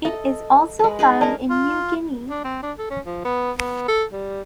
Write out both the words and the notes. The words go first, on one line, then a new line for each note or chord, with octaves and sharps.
It is also found in New Guinea.
A4 D#5 E5
G#3 B4
D#4 G#4 B4
C#4 A#4 D5 A5
F4
D4
C4
D4
A4
C#4
F3
B3
B3
A4
G3